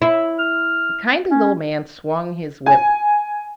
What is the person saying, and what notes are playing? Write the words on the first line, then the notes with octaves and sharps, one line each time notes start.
The kindly little man swung his whip.
E4
F6
C#4
G#5